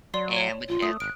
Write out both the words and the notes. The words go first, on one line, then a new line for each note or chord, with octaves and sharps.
And would just
F#3 D5 C6 C7
C#5
A#1 F4
A3 D#6
G#1 F#6 D7